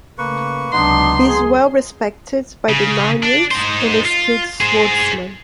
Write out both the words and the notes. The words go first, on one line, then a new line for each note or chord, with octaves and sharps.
He is well respected by the Narnians, and a skilled swordsman.
C#3 A3 A#3 B4 C#6
C#2 C3 F#3 B3 D4 D#4 C6
G#4
C#3
D4
D#4 C5
F4
G#4 C5